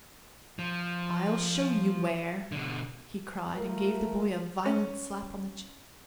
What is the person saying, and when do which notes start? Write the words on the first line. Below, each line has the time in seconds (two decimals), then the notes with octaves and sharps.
"I'll show you where!" he cried, and gave the boy a violent slap on the cheek.
0.59 F3
2.52 B2 D3
3.56 A3 F4 A#4
4.65 C#4